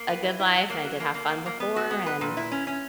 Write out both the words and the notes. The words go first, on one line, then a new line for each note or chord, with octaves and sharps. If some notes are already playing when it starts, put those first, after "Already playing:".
a good life, and I did have fun before. And
Already playing: A#3
B4
E4
E4
F#3
A#3
F#3
A#3
A#3
A#3
A#3
B3
F#4
B3
B4
A#2
E4
C#4
C#4